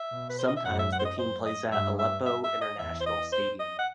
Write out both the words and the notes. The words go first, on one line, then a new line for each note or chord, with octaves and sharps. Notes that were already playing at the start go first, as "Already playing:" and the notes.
Sometimes, the team plays at Aleppo International Stadium.
Already playing: E5
B2
B4
C5
D#5
E5
F#2 F#5
E5
F#5
C5
D#5
C5
D#5
G2 E5
E5
E5
E5
D#5
E2 E5
C5
D#5
C5
D#5
F#5